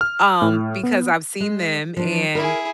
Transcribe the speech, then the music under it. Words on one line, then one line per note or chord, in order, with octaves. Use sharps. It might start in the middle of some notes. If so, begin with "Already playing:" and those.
um, because I've seen them, and
F6
A2
B3
G#3
F3 D4
E4 G#4 A#4